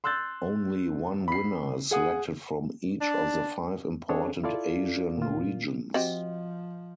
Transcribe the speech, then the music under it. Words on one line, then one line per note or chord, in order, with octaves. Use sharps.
Only one winner is selected from each of the five important Asian regions.
C6 E6 F#6 G6 A6
B5 C7
G#4 F#5 D#6
D4
C4 D4 G#4 A4 C5 C#5
E4 F4 A4 D5 F5
A#2 F4
F3 C4 F#4 G4 D#5